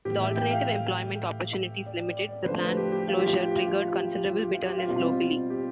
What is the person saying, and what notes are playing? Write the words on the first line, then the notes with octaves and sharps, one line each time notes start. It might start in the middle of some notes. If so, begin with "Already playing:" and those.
With alternative employment opportunities limited, the plant closure triggered considerable bitterness locally.
A2 E3 B3 G4
E5
G5
F5
D5
D5
B4
D3 F3 A3 C5
B4
G4
G4
F4
G4
F4
G4
F4
G4
F4
G4
F4
G4
F4
G4
F4
G4
F4
B2 G3 C4
G4